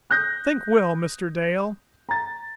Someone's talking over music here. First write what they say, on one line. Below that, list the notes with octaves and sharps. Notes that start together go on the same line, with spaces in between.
"Think well, Mr. Dale!"
D#6 F#6 G6 A#6
A#5 A6